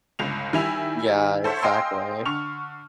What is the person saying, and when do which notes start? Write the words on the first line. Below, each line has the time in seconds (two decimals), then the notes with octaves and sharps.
Yeah, exactly.
0.19 G1 C#2 F7
0.53 D#3 G3 E4 E5 G#5 F7
1.44 A4 C5 C#5 E5 F#5
1.62 D#5 F5 G5 G#5 C6 E6
2.26 D3 C#6 F6 F7